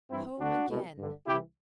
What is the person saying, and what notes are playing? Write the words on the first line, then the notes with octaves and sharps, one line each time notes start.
Home again!
G2 E3 C4 E4
D2 D3 D4 F#4
C2 B2
G2 D3
C2 C3 E3 E4 G4